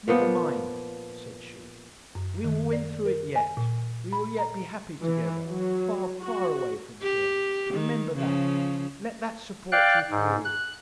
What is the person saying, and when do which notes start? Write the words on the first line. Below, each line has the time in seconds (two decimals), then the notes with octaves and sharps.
'Never mind,' said she; 'we will win through it yet--we will yet be happy together, far, far away from here--remember that--let that support you through all.
0.08 A#2 F3 B3
2.15 F#2
2.44 D#3
2.73 D5
3.06 A#4
3.36 G#5
3.57 A#2
4.13 B5
4.39 A#5
5.02 E3
5.46 F#3
6.21 F#4
7.02 G4
7.74 D#3
8.15 C#3 F3
9.72 D5 F5 G5 F#6
10.10 G#2
10.45 F#6